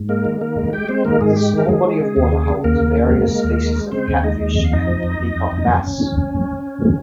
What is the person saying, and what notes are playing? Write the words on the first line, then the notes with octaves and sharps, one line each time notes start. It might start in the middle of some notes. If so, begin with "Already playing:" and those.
This small body of water holds various species of catfish, and peacock bass.
Already playing: G#2
G#3 A#3 A#4
D#3
D#3 A#3 A#4
G#3
G#3 G4 G5
G#3 C4 C5
D#3 A#3 A#4
G#2 G#3 G#4
G#3 G4
D#3 A#4
G#3 G#4
G#3
C#3
D#2
C#3
C#3
D#2 A#3 A#4
D#2
C#3
G#3
G#3
D#2
G#3
G#3
C#3 C4 C5
D#2
C#5
G#3 D#4 D#5
D#2
F2 D#5
F5
F2 D#4 D#5
F3
F2
F2
F2
F2
F2
C#4